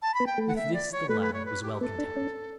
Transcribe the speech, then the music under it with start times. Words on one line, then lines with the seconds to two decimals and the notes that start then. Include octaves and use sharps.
With this the lad was well content.
0.02 A5
0.14 B5
0.20 B3
0.26 G5
0.38 A3
0.48 F#5
0.56 E5
0.74 D5
0.92 C#5
1.09 A3 B4
1.21 B4
1.33 C#5
1.45 B4
1.62 G4
1.81 B3 A4
1.99 D4
2.16 C#4